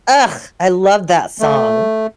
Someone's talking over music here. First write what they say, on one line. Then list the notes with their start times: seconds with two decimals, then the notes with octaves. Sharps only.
Ugh! I love that song.
1.40 A3